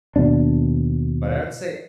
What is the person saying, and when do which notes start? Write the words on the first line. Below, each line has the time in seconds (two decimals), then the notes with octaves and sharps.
But I would say
0.16 D#2 B2 D4